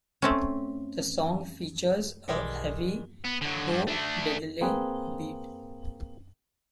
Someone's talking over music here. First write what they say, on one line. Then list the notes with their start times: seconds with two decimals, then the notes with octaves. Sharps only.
The song features a heavy Bo Diddley beat.
0.22 A3 C4 C#4
2.28 B1 D#3 G3 G#3
3.24 B3
3.41 D3 F#3
3.71 G2
3.87 A3 D4
4.61 A#3 C4 G#4 B4